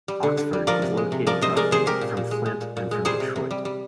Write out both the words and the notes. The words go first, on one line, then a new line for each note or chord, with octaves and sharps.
Oxford is located roughly from Flint and from Detroit.
G3
D3
D3
G3
F3 A#4 D5
C3
G#3
C3
F3 A#4 D5
C3 C5 D#5
G#3 A#4 D5
C3 G#4 C5
G#3 G4 A#4
A#2
A#2
G#3
G#3
A#2
A#2
G#3
G3 G#4 C5
C3
C3
G3
G3